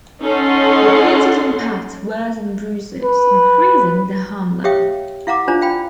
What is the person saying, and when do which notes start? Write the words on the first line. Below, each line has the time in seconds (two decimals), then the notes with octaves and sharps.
Repeated impacts worsen bruises, increasing the harm level.
0.22 C#4 D#4 A4 F#5 C6
3.03 B4
4.64 G4 C#5 E5 F5 G5 D#6
5.27 E4 F5 F#5 A#5 D6
5.48 D4 F4 C5 D5 A#5
5.61 F5 G5 B5